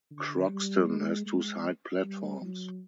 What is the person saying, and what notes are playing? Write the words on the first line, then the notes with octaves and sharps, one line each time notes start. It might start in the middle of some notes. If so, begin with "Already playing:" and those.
Croxton has two side platforms.
D3
G3
G#3
G#3
G3
F#3